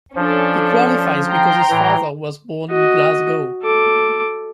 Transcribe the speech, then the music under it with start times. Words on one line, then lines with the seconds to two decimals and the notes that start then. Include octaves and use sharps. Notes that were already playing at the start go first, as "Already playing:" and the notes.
He qualifies because his father was born in Glasgow.
0.15 F3 C#4 D4 A4
1.28 G5 A#5 C6
1.70 A2 E3
2.71 F#4 D#5
3.63 A4 D6